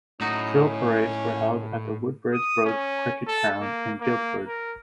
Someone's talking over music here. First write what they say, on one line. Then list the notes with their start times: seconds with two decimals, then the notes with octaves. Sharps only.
Drill parades were held at the Woodbridge Road cricket ground in Guildford.
0.21 A2 F#3 C#4 D#4
2.33 D#6
2.65 C#4
3.27 A4
3.60 A#3
4.01 A#3
4.48 A#4